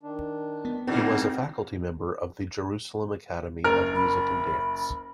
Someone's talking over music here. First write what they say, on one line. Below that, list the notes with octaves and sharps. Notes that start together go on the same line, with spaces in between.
He was a faculty member of the Jerusalem Academy of Music and Dance.
D#3 D4
B3
G2 B2 D3 A#3 C4 D#4
F#1 A#4 F6
B5